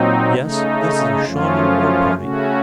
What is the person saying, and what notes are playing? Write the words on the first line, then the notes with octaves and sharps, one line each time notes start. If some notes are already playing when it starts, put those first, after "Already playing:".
Yes, this is a Shawnee war-party.
Already playing: A#2 F#3 C4 D#4
C#3 A3 D#4
F#2 F3 A3 C#4 F4
C#3 A3 C#4 F#4